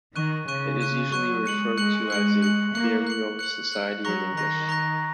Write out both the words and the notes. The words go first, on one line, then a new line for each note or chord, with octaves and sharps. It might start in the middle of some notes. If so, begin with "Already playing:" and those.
It is usually referred to as a burial society in English.
D#3 C#6 F#6 D#7
C#3 C#6 F#6 D#7
C#6 F#6 D#7
F#3 C#6 F#6 D#7
G#3 F#6 C#7 F#7
G#3 F#6 C#7 F#7
F#6 C#7 F#7
F#6 C#7 F#7
A#3 F#6 C#7 F#7
F#6 C#7 F#7
F#6 C#7 F#7
F#6 C#7 F#7
F#3 A#5 C#6 F#6 A#6
D#3 A#5 C#6 F#6 A#6
A#5 C#6 F#6 A#6